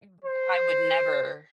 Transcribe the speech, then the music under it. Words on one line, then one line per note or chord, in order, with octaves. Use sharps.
Mm, yeah, I would never
C5